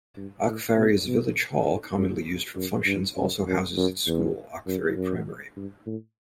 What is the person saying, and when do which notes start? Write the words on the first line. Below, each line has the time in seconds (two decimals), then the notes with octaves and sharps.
Achfary's village hall, commonly used for functions, also houses its school, Achfary Primary.
0.17 G2
0.47 A2
0.77 B2
1.08 B2
1.97 F#2
2.56 F#2
2.86 G2
3.17 F#2
3.47 F#2
3.77 F#2
4.07 E2
4.67 F#2
4.96 F#2
5.57 G2
5.86 A2